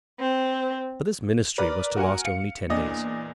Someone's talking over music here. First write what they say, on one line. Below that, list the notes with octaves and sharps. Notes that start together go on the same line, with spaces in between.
But this ministry was to last only ten days.
C4
A#4 B4 D5 A#5
F#4 A#4 F#5 G#5
F5 C#7
E2 A#2 D4 D#5